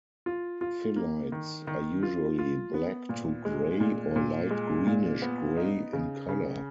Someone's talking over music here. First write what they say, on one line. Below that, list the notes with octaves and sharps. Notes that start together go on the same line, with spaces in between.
Phyllites are usually black to gray or light greenish gray in color.
F4
F4
A#3
D#3
D#3
F4
F4
B3
A#2
G#3
A#2
A#2
G#3
A#2
B3
D#4
C#3
C#3